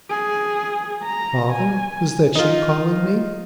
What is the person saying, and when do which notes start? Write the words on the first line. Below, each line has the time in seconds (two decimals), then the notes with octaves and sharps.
Father, was that you calling me?
0.10 G#4
1.03 A#5
1.52 G#5
2.35 D#4 F4